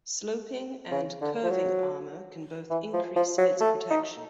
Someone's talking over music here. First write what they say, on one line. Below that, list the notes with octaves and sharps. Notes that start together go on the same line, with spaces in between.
Sloping and curving armour can both increase its protection.
C#3
D3
F3
F#3
E3
F3
F3
F#3
A3
D#4